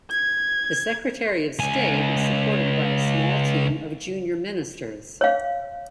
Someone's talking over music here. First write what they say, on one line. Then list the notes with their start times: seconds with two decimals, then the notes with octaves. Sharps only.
The Secretary of State is supported by a small team of junior Ministers.
0.11 G#6
1.59 C#2 G#5
5.21 C#5 F5